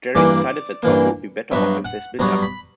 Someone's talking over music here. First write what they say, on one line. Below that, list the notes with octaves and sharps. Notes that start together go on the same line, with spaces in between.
Gerry decides that Tom would be better off if they split up.
G2 E3 A#3 D5
G2 E3 A#3
G2 F#3 B3 E5
F#5
G2 F#3 B3 A#5
B5